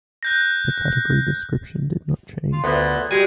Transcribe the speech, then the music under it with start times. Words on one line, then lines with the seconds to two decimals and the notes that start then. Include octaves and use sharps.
The category description did not change.
0.23 F#6 G6 A#6
2.52 F4
2.64 D2 A#2 B3
3.11 G3 G#3 F#4 G#5